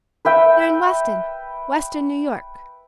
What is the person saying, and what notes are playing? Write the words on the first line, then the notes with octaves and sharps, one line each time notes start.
"They're in Weston--Weston, New York."
B4 E5 G5